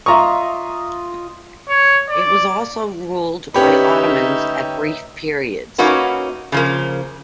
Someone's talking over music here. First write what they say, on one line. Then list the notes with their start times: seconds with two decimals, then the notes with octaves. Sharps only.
It was also ruled by Ottomans at brief periods.
0.06 F4 D#5 E5 A#5 C#6
1.69 C#5
2.09 D5
3.54 D2 C#4 D#4 G4 B4 C#5 E5 B5
5.78 A#3 C#4 D#4 F#4 B4
6.52 C#3 F3 A#3